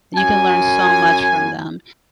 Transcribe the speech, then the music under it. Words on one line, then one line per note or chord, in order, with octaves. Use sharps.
You can learn so much from them,
F#2 G#5